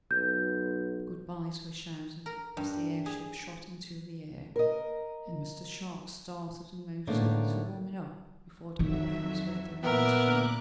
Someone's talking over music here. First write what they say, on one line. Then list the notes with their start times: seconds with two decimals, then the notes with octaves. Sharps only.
Good-bys were shouted as the airship shot into the air, and Mr. Sharp started the motor, to warm it up before the propellers were thrown into gear.
0.11 B1 G6
2.26 A#4
2.57 G2
3.06 G#4
4.56 A#4 D#5
7.07 A2 D3 D#3 G#3 A#3 B3
8.79 F2 D#3 F#3 D#4 E5
9.83 A#2 B3 A#4 E5 D6 F#6